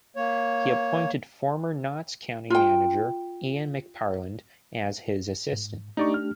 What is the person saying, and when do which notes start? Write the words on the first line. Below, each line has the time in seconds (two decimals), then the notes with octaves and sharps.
He appointed former Notts County manager Ian McParland as his assistant.
0.16 A#3 C#5
2.50 F4 G5
5.52 G#2
5.97 A3 D4 D#4 G4 D5 C#6
6.14 F6